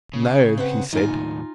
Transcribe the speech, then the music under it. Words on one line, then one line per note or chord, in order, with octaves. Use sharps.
"No," he said.
C#3
C4 B4 F#5
D#2 A2 D#4 F4 G#5